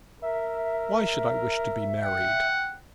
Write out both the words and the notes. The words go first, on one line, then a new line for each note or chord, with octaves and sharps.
'Why should I wish to be married?
A#4 E5
F#5 G5